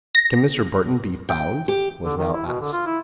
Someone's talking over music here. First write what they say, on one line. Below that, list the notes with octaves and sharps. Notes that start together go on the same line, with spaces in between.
"Can Mr. Burton be found?" was now asked.
A#6
G5
G4
D3
D#3
E4
B2
D3
F4
E4